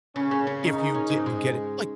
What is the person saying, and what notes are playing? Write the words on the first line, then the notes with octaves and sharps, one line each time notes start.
if you didn't get it, like,
C#3 C#4
C#3
C#3
C#4 D#4
C#4
C#4
G#2
G#3